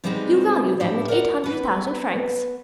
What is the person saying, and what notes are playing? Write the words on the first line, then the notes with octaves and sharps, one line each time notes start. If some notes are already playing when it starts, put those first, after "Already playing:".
"You value them at eight hundred thousand francs?"
C3 G3 G#3 B3 C4 D#4
A2 D4 E4 G4
A#4 D5 F#5 A#5
B3 B4